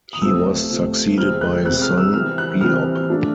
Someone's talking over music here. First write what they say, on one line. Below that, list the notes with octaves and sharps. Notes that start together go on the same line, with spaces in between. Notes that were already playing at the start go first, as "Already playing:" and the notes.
He was succeeded by his son Beop.
D#6
C3 F3 A3 E6
C3 F3 A3
C3 F3 G#3 C4 F6
F#6
C3 F3 G#3 C4 F#6
F6
E6
C3 E3 G3 C4 F6
F#6
C3 E3 G3 C4 F6
F3 A3 D4